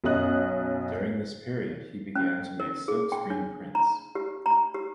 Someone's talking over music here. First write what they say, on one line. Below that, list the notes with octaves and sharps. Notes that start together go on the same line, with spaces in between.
During this period he began to make silkscreen prints.
B1 F#2 C#4 D#5 D#6 F#6
C#4
A#4
G#4
G5
D4
A#5
G4
A#5
G4